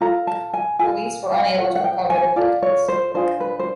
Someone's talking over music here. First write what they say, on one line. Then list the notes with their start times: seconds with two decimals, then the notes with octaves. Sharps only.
Police were unable to recover the paintings.
0.01 F4 A4 A#5
0.27 A5
0.54 G#5
0.79 F4 A4 G#5
1.32 F5
1.58 F4 A4 F#5
1.76 F#5
1.84 G5
2.10 G#5
2.36 F4 A4 D5
2.63 C#5
2.88 C5
3.14 D4 F4 G#4 C5
3.40 B4
3.59 C5